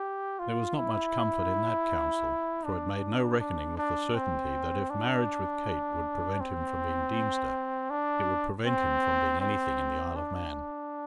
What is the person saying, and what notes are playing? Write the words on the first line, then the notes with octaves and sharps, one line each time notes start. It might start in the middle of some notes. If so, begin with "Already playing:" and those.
There was not much comfort in that counsel, for it made no reckoning with the certainty that, if marriage with Kate would prevent him from being Deemster, it would prevent him from being anything in the Isle of Man.
Already playing: G4
F4
E4
D4
D4
D4
C4
D4
C4
D4
C4
C4
D4